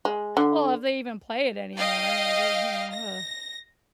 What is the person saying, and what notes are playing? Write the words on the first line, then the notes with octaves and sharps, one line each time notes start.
well, if they even play it anymore, like, th you know, ugh.
G#3
D3
D#5 F5 G5
A#6